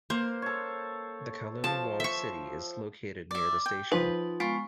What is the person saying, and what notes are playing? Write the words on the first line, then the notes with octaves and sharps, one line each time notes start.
The Kowloon Walled City is located near the station.
A#3 C5
A4 C#5
F3 A5
E5 C#6
D5 E5
G5
F3 D#4 B4
G#3 B3 F4 C#6